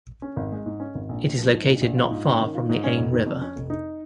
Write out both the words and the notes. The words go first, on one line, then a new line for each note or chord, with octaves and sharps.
It is located not far from the Ain River.
C#4
G#1
G#3
G#2
C#4
G#1
A#1
A#1
F3
G#2
A#1
A#1
F4
G#2
C#4
D#3
F4
G#2
C#4
F1
D#3
F2
C#4
F1
D#4